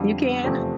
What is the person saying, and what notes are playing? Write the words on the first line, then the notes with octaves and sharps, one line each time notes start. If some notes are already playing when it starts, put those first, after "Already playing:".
You can?
Already playing: F2 D3 G3
E2 C3 F3 A3 C4